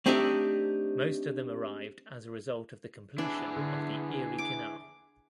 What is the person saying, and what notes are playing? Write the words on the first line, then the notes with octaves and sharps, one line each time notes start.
Most of them arrived as a result of the completion of the Erie Canal.
A3 C4 D4 D#4 G4 E5
D4 E4 G#4 B4
D3
D6